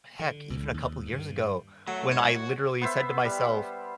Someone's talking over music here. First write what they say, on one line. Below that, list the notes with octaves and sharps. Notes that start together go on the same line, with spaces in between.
Mm, heck, even a couple years ago, when I literally said to myself,
D3
C#2
D#2
G2
F#3 A3
G#2 C#5
F#4
B3 C5 E5
G3